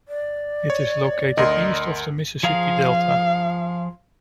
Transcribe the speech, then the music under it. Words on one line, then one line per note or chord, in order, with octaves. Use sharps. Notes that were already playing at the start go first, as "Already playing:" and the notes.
It is located east of the Mississippi Delta.
D5
C#5
D2 A#4 D#5 C6
F3 G#4 F5 A#5